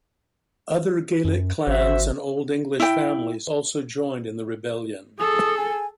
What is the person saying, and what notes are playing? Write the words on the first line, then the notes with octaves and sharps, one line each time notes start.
Other Gaelic clans and Old English families also joined in the rebellion.
F#2
G#1 F#4 C5 E5
E4 G5
G#4 A4 D#6
G#5